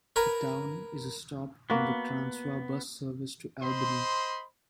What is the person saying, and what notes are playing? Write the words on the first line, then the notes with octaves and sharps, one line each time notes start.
The town is a stop on the Transwa bus service to Albany.
A#4 B4 G#5 A#5
A#3 B3 F#4
C5 D#5 B5 C6